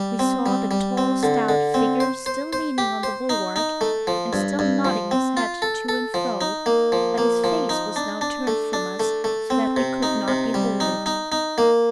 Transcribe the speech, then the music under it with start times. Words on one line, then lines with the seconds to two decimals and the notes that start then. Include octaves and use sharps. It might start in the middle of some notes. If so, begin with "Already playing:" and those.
We saw the tall stout figure still leaning on the bulwark, and still nodding his head to and fro, but his face was now turned from us so that we could not behold it.
Already playing: G3
0.19 C4
0.46 G3
0.71 G3
0.98 C4
1.23 D3
1.49 D3
1.74 C4
2.00 C5
2.26 C5
2.53 C5
2.78 G4
3.03 C5
3.29 D#4
3.56 D#4
3.81 A3
4.07 F3
4.33 G2
4.59 G2
4.85 F3
5.11 C4
5.37 F4
5.62 A4
5.89 A4
6.14 F3
6.41 D#4
6.66 A#3
6.92 F3
7.18 A#3
7.44 F3
7.69 D#4
7.96 D4
8.21 D4
8.47 A3
8.73 D4
9.00 A3
9.24 A3
9.50 C4
9.76 C3
10.03 D#4
10.28 C3
10.54 G3
10.80 D#4
11.06 D#4
11.32 D#4
11.58 A#3